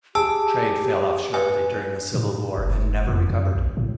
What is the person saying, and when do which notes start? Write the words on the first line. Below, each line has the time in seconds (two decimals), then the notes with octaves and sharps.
Trade fell off sharply during the Civil War and never recovered.
0.15 G4 G#4 A5 E6
1.34 B4 G#5
2.14 A2
2.58 F#1
3.09 F2
3.30 F#2
3.55 A#1
3.77 A2